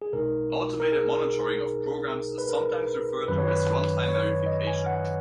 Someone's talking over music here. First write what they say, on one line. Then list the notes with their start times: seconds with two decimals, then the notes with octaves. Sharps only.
Automated monitoring of programs is sometimes referred to as runtime verification.
0.02 G#4
0.13 B1 B2 G#3 D#4 A#4
0.80 A#4
0.92 G#4
2.38 B4
2.49 A#4
3.28 F#2 D#3 F#3 C#4 B4
3.38 C#5
3.48 B4
4.08 C#5
4.46 D#5
4.67 G#5
4.86 F#5